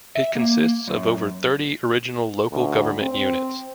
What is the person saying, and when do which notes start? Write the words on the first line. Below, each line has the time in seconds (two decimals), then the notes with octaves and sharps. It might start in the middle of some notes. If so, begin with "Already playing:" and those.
It consists of over thirty original local government units.
0.15 E5
0.35 A#3
0.88 F#2
2.52 D2
3.02 C4